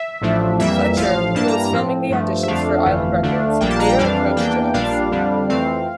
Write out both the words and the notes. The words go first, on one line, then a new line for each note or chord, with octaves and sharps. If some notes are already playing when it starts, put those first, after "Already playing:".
Fletcher, who was filming the auditions for Island Records, later approached Jones.
Already playing: E5
A1 A2 F3 A3 D4
F2 E3 G3 A#3 E5
A1 A2 F3 F5
G2 E3 G3 A#3 D4 A5
A#5
A#5
A2 F3 C4
G2 F3 A3
E5
F2 D3 F3 A3 D4 F5
G1 F2 E3 A3
D2 D3 A3 D4
A#1 A#2 G3 A#3 D4 G5
A5
A#5
G5
F2 E3 G3 D4 F5
E2 E3 A#3 D4 G5
A#1 A#2 G3 D4 F5
F2 D3 G3 D4
F2 E3 A3 C4 F5